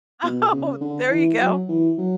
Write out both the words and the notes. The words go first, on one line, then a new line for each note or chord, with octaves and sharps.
Oh, there you go.
B2
C#3
D3
E3
F#3
E3
F#3